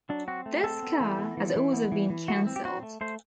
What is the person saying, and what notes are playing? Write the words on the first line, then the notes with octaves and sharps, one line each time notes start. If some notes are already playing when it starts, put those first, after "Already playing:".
This car has also been cancelled.
F#3 D4
C4 F#4
A3
C4 A4
B3
E3
B3
E3
E3
B3
E3
E3
A3 F#4
C4
G4
C4 F#4
A3
A3 C5